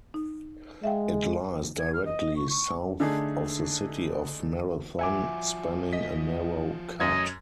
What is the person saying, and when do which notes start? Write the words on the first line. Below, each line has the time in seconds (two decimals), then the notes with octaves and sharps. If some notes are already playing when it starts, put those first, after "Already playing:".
It lies directly south of the City of Marathon, spanning a narrow cut.
0.14 D#4
0.84 G#3 E5 F5 G5
1.79 G#6
1.93 F6
2.05 D#5
2.36 C#6
2.50 C#6
3.00 D3 A3 D4 D#4 G#4
4.99 F3 F#4 E5 G#5 D6
5.93 D#5 B6
7.00 F#2 A3 C#4 D#5 G#6